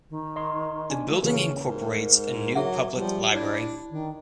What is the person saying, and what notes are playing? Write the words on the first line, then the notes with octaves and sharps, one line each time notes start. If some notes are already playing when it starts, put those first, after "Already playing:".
The building incorporates a new public library.
D#3
D#5 C6
D4 G#5
A3 F4
C#3 E3 A#3 C#4
G#2 A#4
F#3 G#4 E5 F#5
F3 G3
D4 E4 C#5 D5
D#3 D4